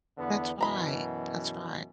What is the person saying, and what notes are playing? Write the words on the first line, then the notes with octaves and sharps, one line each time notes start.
That's right. That's right.
E2 D3 B3
F#2 B2 E3 A#5 B5